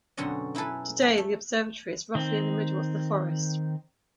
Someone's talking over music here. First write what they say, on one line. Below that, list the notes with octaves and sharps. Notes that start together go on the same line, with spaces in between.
Today, the observatory is roughly in the middle of the forest.
F#2 B2 D3 C4 C#5 D#5
D#4 E4 G#4 A4 B4
A3
A3
D#3 C4